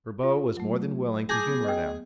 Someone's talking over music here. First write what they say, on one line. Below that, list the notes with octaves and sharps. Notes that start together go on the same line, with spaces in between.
Ribaut was more than willing to humor them.
F4
F#3 A3
G#4 A5 D6 G6 A#6
B3
D#5 G5